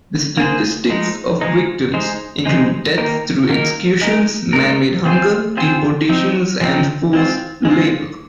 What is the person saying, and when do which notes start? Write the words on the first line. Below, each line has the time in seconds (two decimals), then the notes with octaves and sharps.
The statistics of victims include deaths through executions, man-made hunger, deportations, and forced labor.
0.37 A#3 G#4 C5
0.90 F3 G#3 D#4
1.41 F3 G#3 D#4
1.94 G#3 D#4 C5
2.45 G#3 D#4 C5
2.98 D#3 A#3 D#4 A#4
3.49 D#3 A#3 D#4 A#4
4.01 G#3 D#4 A#4
4.53 G#3 D#4 A#4
5.05 C4 F4 G#4 C5
5.57 C4 F4 G#4 C5
6.09 F3 C4 D#4
6.61 F3 C4 D#4
7.13 G#3 C4 F4
7.65 G#3 C4 F4